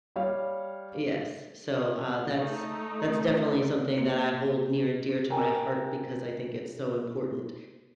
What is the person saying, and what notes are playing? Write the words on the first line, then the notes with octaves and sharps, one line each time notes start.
Yes. So, uh, that's, that's definitely something that I hold near and dear to my heart because I think it's so important
G3 C#5 F5
A3 D#4
A#3
A#4 G5 G#5 A#5